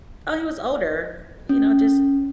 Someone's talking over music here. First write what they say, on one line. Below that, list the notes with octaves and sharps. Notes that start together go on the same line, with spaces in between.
oh, he was older, you know; just
C#4